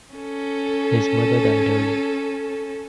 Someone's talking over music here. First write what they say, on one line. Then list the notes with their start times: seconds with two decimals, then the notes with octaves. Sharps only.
His mother died early.
0.15 C#4 A4